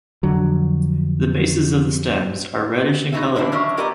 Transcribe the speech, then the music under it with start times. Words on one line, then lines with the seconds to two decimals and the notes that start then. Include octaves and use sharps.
The bases of the stems are reddish in color.
0.23 F2 D3 F#3
3.12 B3 D#4 F#4 G#4 E5
3.36 G#2 D3 E3 B3 D4 E4
3.52 A2 D#3 F#3 C#4 D4 E5
3.77 A#3 B3 G4 A#4 D5 D#5